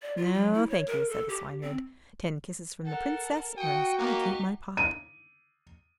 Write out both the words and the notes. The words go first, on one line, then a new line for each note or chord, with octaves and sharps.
'No, thank you,' said the Swineherd. 'Ten kisses from the Princess, or else I keep my pot.'
D5
F4
F#3
E4
C#5
A#4
A4
G4
C4
A4 A#4 F#5
F#4 G5 D#6 C#7
A#3 D#4 G4
D#7